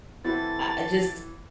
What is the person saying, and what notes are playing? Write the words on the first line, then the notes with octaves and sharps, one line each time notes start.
I I just
E3 C4 E4 F#4 A4 A6